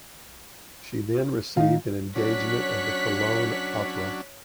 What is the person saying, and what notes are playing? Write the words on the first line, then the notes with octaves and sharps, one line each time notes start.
She then received an engagement at the Cologne Opera.
D#3 D#4 F5
F#3 C#4 D4 C#5 F#6 B6